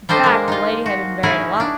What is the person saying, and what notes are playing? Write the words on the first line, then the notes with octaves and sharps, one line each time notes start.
In fact, the lady had been buried alive.
G3 D4 A4 C5 D#5 A5
G#3 A#3
D#4 F4
F#4
C#4 D#4 E4 G#4
D4